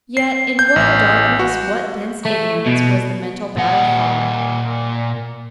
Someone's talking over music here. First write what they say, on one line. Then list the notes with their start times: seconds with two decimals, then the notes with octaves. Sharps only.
Yet in what darkness, what dense ignorance, was the mental battle fought!
0.17 C7
0.59 G6
0.76 A1
1.39 F#4
2.26 A3
2.67 B2
3.57 A#2 F#5